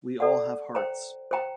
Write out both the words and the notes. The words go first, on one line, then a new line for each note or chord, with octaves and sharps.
We all have hearts.
A4 D5 F#5
C5 G5 A#5
C5 G5 A#5